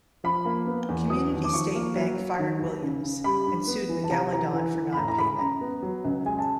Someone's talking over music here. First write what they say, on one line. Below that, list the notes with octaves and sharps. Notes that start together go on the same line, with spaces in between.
Community State Bank fired Williams and sued Megaladon for nonpayment.
F3 B5
A#3
B3
E2
F#3 D#6
D#2
D6
F3 C#6
A#3
F#3
F#3
D#3
D#2
C#3
C#3
G3 B5
G2
B3
E3
A5
C3 A#5
E3 A#5
E3
E3
B5
A2 A#5
A#5
G#3 B5
F#2 A#5
B3
F#3
C#2
G#3 G#5
A5